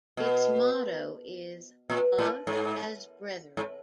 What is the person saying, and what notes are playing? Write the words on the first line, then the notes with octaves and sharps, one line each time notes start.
Its motto is "Love as Brethren".
B2
A#2
A2
G#2
G#2